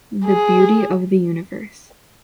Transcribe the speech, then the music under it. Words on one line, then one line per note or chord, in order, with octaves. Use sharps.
The beauty of the universe.
G#4